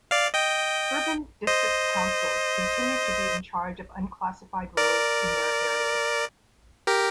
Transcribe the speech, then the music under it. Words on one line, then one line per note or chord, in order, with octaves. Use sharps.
Urban district councils continued to be in charge of unclassified roads in their areas.
D5 F5
D#5 G5
C5 D#5
A#4 D5
G4 A#4